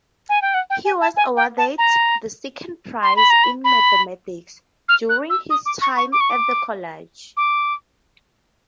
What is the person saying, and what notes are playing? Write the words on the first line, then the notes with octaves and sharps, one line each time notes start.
He was awarded the second prize in mathematics during his time at the college.
G#5
G5
F#5
G5
G#5
A5
G#5
G5
A5
A#5
C6
B5
A#5
B5
B5
F6
F#6
E6
D#6
D6
C#6
C#6
D6
C#6
D6
D6